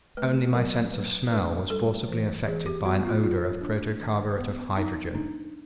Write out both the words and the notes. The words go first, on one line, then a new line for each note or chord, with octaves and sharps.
Only my sense of smell was forcibly affected by an odour of protocarburet of hydrogen.
A3 B4
F#3 A#4
F#3 B4
D4 B4
G3 A4
E3
E3 G#4
G4
B3 F#4
F4
F#3 F4
D4
D#3
B3
F#3 D#4
D4 D#4